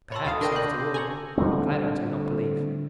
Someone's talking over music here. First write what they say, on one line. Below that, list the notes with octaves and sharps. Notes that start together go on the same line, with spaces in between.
Perhaps, after all, I am glad I do not believe.
C#5 A5 B5 C6 E6
D2 A4 F5 A5 D#6
D4 A#4 G5 C#6 A#6 D#7
C6 D6 F#6 G6
G#5 A#5 C#6 F#7
D3 G3 A3 C4